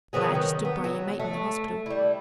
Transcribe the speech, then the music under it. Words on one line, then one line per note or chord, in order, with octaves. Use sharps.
Glad you stood by your mate in the hospital.
D#3 F#3 B3 G#4
D#3
B3
F#3
A3
G3 E4